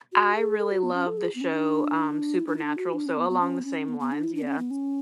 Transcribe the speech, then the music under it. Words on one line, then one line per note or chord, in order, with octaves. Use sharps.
I really love the show, um, Supernatural, so along the same lines, yeah, s
F#4
G#4
A4
F#4
B3
C#4
A4
G#4
B3
C#4
D4
E4
D4
E4
D4
F#4
D4
C#4
B3
B3
C#4
B3
C#4
B3
B3
D4
E4
D4
B3
C#4
B3
C#4